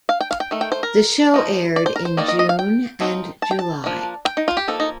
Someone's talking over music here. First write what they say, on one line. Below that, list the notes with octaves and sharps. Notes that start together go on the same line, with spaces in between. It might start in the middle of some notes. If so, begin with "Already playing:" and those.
The show aired in June and July.
F5
G5
F5
G5
D#3 A3
G5
C5
A#4
F3 A#3 D#4
D5
C5
A#4
C5
D#3 A#3 D#4 D5
D#5
D#5
F5
G5
F3 C4 D#4
A5
G5
A5
F3 A#3 D4
G5
D#4
F4
G4
F3 A#3 D#4 A4
D#4